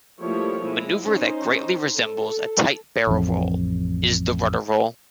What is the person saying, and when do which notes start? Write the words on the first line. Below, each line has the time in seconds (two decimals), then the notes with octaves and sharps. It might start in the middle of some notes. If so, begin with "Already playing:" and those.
A maneuver that greatly resembles a tight barrel-roll is the rudder roll.
0.20 F3 G3 A3 A#3 E4 C#5
0.64 G#3 E4
1.05 C#4 D#4 C5
1.95 A4
3.07 A1 F2